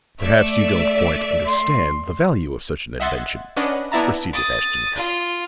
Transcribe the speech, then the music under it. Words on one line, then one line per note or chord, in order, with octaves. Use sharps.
"Perhaps you don't quite understand the value of such an invention," proceeded Ashton-Kirk.
A3 D5 E5
C6
D#5 E5 F#5 C6 G#6 A6
C#4 D4 B4 D#5 F#5
B3 D4 E4 E5 A5 A#5
D#6 A6
F4